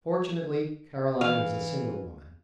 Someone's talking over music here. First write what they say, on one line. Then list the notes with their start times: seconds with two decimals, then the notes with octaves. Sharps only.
Fortunately, Caroline was a single woman.
1.21 E3 F5